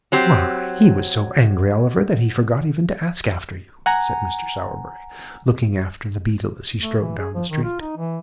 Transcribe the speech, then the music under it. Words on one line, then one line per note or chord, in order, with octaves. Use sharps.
'Why, he was so angry, Oliver, that he forgot even to ask after you!' said Mr. Sowerberry, looking after the beadle as he strode down the street.
F#3 C4 G4
F#5 G#5 A#5
A3
E3
G#4
F3
D#3
F4
D#4
E3